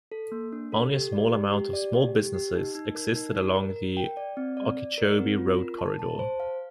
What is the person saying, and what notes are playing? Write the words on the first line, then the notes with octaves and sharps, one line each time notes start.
Only a small amount of small businesses existed along the Okeechobee Road corridor.
A4
A#3
D4
A4
G4
D5
G4
G4
D5
G4
G4
G4
D#4
D#4
A#4
D#4
A#4
A#4
A#4
G5
D5
C4
D5
D5
A#4
C4
F4
A#4
A5
A5
C5
F5